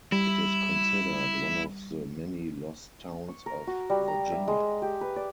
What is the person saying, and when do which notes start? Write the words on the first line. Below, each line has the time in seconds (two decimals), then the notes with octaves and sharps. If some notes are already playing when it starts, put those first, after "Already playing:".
It is considered one of the many lost towns of Virginia.
0.12 G3 E4
3.28 C#6
3.46 A#4
3.67 F#4
3.90 G3
4.08 A#5
4.32 E5
4.48 G#3
4.82 G4
5.01 B4
5.16 D5